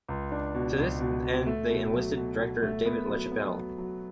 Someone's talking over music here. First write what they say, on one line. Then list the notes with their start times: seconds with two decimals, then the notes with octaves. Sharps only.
To this end, they enlisted director David LaChapelle.
0.08 C#2
0.32 D4
0.54 B2
0.78 C#2
1.01 B2
1.23 B2
1.47 A3
1.70 B2
1.93 F#3
2.16 B2
2.39 B2
2.63 A3
2.86 B3
3.08 F#3
3.32 B3
3.55 F#3
3.78 F#3